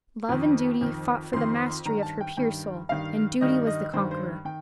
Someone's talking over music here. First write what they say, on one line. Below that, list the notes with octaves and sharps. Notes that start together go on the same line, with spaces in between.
Love and Duty fought for the mastery of her pure Soul: and Duty was the conqueror.
F2 D#3
F2 D#3
F2 D#3 C6
G2 D#3 A#5
A5
G5
G2 D#3 G5
G2 D#3 F5
G2 D#3 D#5
D#5
G2 D#3 C5
C5
D#3 G5